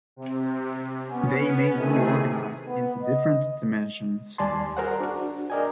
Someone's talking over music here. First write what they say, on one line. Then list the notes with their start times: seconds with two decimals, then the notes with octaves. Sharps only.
They may be organised into different dimensions.
0.16 C3
1.07 B3 C#4
1.76 C3 D#3 E3 A3 G#4 D#7
2.67 B3
3.02 D#5
4.38 D#2 G3 D5 G#5 A5 C6
4.77 F#4 G#4 A#4 C5 F#5
5.00 D4 F#4
5.50 G#4 A#4 D5 D#5 G5 G#5